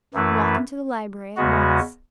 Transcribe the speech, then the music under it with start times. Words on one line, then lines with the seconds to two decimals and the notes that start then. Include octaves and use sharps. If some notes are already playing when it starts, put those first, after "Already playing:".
"Walk into the library at once."
0.14 F#2 E3 A3 E4 B4
1.36 E2 C#3 G#3 B3 F#4